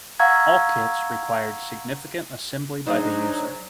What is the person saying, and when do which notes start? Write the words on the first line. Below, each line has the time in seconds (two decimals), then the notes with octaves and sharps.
All kits required significant assembly by the user.
0.20 F5 F#5 A#5 C#6 E6 G#6
2.87 G#2 F#3 D4 D#4 C5 D#5